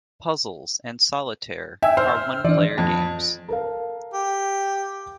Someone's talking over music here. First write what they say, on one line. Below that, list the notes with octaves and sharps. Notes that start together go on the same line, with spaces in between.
Puzzles and Solitaire are one-player games.
E5 G5 G#5 E6
C5 E6 F6
E3 D4 D5
F2
A4 A#4 F5
G4